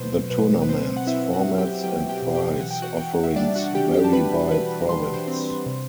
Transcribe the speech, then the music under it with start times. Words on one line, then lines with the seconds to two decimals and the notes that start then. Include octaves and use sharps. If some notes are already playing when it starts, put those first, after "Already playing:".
The tournaments, formats and prize offerings vary by province.
Already playing: B2 F#3 B4 C5
0.30 B2 B4
0.62 B4
0.69 C4 C5
0.97 F#5
1.07 C4 E4 E5
1.33 F#4 F#5
1.45 F#3
1.58 G4 G5
1.84 F#3 G4 G5
2.09 G4 G5
2.22 B2
2.35 G4 G5
2.60 E3 F#5
2.71 G5
2.82 F#4 F#5
2.97 E3 G5
3.10 F#5
3.24 E5
3.36 G3 D4 D5
3.55 F#4 F#5
3.66 F#5
3.75 E3 G4 G5
3.93 G4 G5
4.04 A5
4.13 G3 B4 B5
4.51 E3 B4 B5
4.89 G3 C6
5.14 C5 C6
5.27 C4
5.66 C3